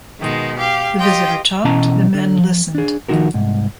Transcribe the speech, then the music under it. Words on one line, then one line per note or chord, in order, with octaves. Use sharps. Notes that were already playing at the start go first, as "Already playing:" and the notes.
The visitor talked, the men listened.
B2 D#3 G#3
G4 F5
G4 D#5 F5 G5 C6
B2 E3 C#4 D#5 A5 A#5
D3
F3
D4 G#4
D#3 F3 D#4 F#4 A#4
C2 G#2